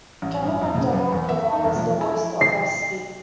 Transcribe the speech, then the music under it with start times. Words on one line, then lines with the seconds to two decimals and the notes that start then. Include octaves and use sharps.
Kevin McDonald provides the voice of Rusty.
0.22 A1
0.43 G2
0.62 F2
0.75 C#3
0.93 F#2
1.12 E2
1.29 E5
1.52 D#4
1.64 E1
1.76 F3
2.01 E4
2.41 C7